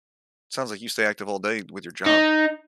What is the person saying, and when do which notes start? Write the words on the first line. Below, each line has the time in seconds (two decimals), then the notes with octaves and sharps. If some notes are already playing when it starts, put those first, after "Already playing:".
it sounds like you stay active all day with your job.
2.06 D#4